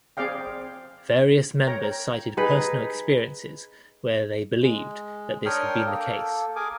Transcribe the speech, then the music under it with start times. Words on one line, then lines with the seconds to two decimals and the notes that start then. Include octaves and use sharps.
Various members cited personal experiences where they believed that this had been the case.
0.17 C4 G#4 D5 F5 G5
1.67 A#4 C#5 G5 A#5
2.37 D#4 G#4 B4
4.63 G#3
5.46 D4 A#4 C#5 G5 D#6 F6
5.86 A#3 A4
6.56 G#4 A#4 G#5 D6